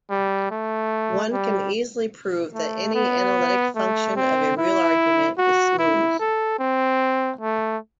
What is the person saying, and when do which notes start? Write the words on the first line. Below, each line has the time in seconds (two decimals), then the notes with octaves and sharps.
One can easily prove that any analytic function of a real argument is smooth.
0.10 G3
0.51 A3
1.33 G3
2.54 A3
2.95 B3
3.76 A3
4.16 C4
4.58 E4
5.38 F#4
5.79 E4
6.20 A4
6.59 C4
7.41 A3